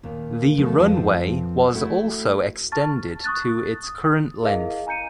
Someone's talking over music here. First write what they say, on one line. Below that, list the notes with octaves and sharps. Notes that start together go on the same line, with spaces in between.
The runway was also extended to its current length.
D#2 A#2
D#2 F3 A3 C4
F2 F3 C4 B4 F#5 A5
A3 E4 F#4 A4 F#5
A5 C#6 F6 A6
C#6 D#6 F#6 A6
D#6
E4 G#4 A#4 D#5 F5
G#5 A#5 G6 C#7 D#7